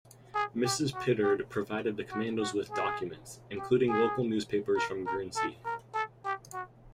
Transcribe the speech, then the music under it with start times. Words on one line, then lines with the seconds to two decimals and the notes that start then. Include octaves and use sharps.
Mrs Pittard provided the commandos with documents, including local newspapers from Guernsey.
0.35 G#4
0.64 G4
0.94 F#4
1.23 G4
2.11 F#4
2.41 F#4
2.71 G#4
3.58 G4
3.88 G#4
4.76 A#4
5.06 A#4
5.36 A4
5.65 A#4
5.94 A4
6.24 G4
6.53 F#4